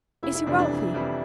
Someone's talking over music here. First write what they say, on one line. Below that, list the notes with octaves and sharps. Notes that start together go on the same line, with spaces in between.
Is he wealthy?'
F1 E4
E4
F2 C3 E3 G3 D4
D4
F1
F2 C3 E3 G3